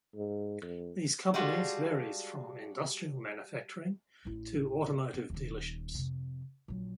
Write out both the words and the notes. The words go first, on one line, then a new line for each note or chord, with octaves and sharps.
These companies varies from industrial manufacturing to automotive dealerships.
G#2
F2
G3 G#3 D4 F4 F#4
A1 E4
B3
D#1 D#2
F2 C3
A#1 F#3